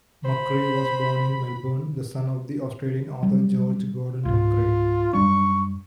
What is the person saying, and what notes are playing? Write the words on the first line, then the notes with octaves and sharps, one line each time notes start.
McCrae was born in Melbourne, the son of the Australian author George Gordon McCrae.
C5 B5
F#3 G3
C#2 G#2 F4
F#2 G3 D4 C#6